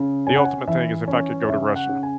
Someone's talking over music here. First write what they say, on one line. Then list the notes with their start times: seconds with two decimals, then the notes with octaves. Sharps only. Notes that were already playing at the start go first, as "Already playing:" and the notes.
the ultimate thing is if I could go to Russia.
Already playing: C#3
0.27 C#4 G#5
0.36 F#5
0.44 G#5
0.67 E3 E5
1.08 C#4
1.42 C#5
1.49 C#3 E5
1.76 F#5
1.89 C#3
2.03 G#5